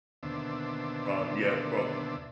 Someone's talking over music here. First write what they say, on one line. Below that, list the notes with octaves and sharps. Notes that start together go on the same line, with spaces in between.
from yeah, from
D#2 B2 D3 D4 C5 E5